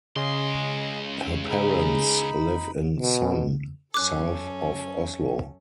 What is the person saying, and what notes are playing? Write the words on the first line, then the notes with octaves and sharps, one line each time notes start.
Her parents live in Son, south of Oslo.
C#2 C#3 G#4 D#5 C6
D#4 G#4 B5
B2
F#2 C#4 A4 D6 F#6